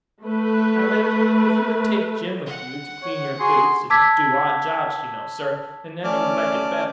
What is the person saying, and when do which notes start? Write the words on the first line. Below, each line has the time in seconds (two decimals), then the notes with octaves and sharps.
I meant, if you would take Jim with you to clean your boots, and do odd jobs, you know, sir, then Nanny would like it better.
0.22 A3 B4
2.46 F#5
3.02 C#5
3.40 F#4 G#4 C6
3.90 A5 D6 E6 G#6 B6
6.04 A3 C#4 D5 A5 D6 F6